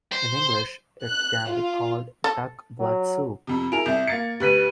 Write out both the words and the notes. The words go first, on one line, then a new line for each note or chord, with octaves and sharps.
In English it can be called "duck blood soup".
C5
F#6
F4
A4
F#3
F2 C3
E4 G#4 A#4 D7 F7
C2 E5 G6
A#3 G#6 A6 C#7
D2 G4 B4 F#6 B6 D#7